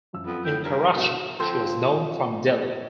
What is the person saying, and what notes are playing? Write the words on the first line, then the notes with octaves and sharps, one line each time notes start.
In Karachi she was known from Delhi.
F#2 F3 E6
F2 B3
A2 G5
G2 A#4
A#4
B2 A3 E4 F#4
D3 F3 C4